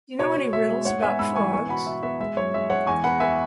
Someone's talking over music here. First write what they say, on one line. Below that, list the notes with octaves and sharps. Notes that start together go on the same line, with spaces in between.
Do you know any riddles about frogs?
B2 C#5
B2
B2 E5
G#3
G#2 C#5 F#5
B3 E5 G#5
G#2 B5 E6
E3 G#5 C#6
B3 G#5 C#6
B2 F#5 B5
B2 E5
B3 E5
G#3 E5
F#2 C#5
G#3 E5
G#3 C#5 F#5
E2 G#5 C#6
B3 F#5 B5
B3 E5 G#5